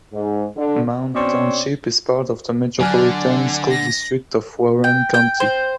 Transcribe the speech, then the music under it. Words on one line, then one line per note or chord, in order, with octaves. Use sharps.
Mound Township is part of the Metropolitan School District of Warren County.
G#2
D3
B2 C4 C#4 C#5 D5
D3 F#3 D4 G#5 F6 F#6
A#6
G5
G5
C5